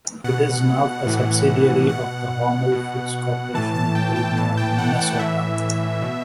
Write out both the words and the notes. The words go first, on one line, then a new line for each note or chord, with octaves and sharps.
It is now a subsidiary of the Hormel Foods Corporation in Willmar, Minnesota.
B2 F#5
A2 E3
B2 F#5
B2
A2 E3 A5
A5
G5
G5
A2 E3 A5
G5
F#5
F#5
A2 E3 E5
B2